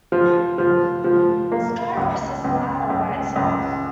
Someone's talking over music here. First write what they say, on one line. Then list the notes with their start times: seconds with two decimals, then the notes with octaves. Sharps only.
Skyros is an island by itself.
0.12 F3
0.58 F3
1.04 F3
1.52 A#3
1.97 C#2
2.44 C#2
2.90 C#2
3.36 C#2